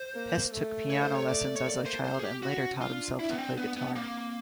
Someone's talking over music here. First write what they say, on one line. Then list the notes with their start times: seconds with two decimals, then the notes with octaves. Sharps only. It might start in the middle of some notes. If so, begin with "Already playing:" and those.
Hest took piano lessons as a child and later taught himself to play guitar.
Already playing: C5
0.14 A#3
0.53 A3
0.90 C#5
1.02 C5
1.15 C#5
1.29 D5
1.56 C#5
1.66 A#3 D5
1.85 C5
2.05 C5
2.19 G#4
2.24 G4
2.42 C#4 F#4
2.81 D4 F4
3.19 D4 E4
3.29 B3
3.38 C4
3.58 B3
3.77 B3
3.96 A#3 C4